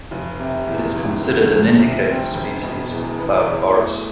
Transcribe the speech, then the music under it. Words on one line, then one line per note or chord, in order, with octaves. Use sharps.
It is considered an indicator species of the cloud forest.
F1
C3
E2
F1
D2
F3
C3
C4
E1
B2
E2
B3
E2
A3